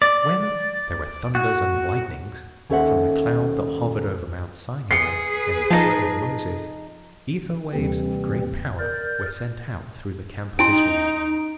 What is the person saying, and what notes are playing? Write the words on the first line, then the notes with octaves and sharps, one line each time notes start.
When "there were thunders and lightnings" from the cloud that hovered over Mount Sinai in the time of Moses, ether-waves of great power were sent out through the camp of Israel.
D5
F#4
D#2 C#4 A4 C5 E5 F#5
G#4 B4 C6 C7 C#7
F3 D#4 A5
D#2 C3 E3 G3 C4
A#4 D5 G6
C#4 D#4 E4 C6 D7